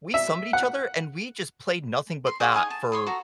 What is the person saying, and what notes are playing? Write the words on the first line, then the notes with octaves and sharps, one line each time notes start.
we summoned each other, and we just played nothing but that, for
E5
F#5
C6
G#4 C#5 F#5
D#4 G#5 D#6
A5
C#5 C6 D#6
F#4 A4 A#5